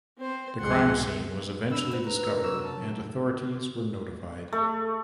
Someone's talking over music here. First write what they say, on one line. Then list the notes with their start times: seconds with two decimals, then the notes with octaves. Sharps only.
The crime scene was eventually discovered and authorities were notified.
0.18 C4 C5
0.60 C#2 G2 F3 G#3 F#5 C6
1.71 D4 B5 E6
1.92 F#4 C5
2.05 B4 A#5
2.25 C3 A#3 A#4
2.44 F#3 D4 A#5 C#6 E6
2.63 C#3 A5
4.53 A3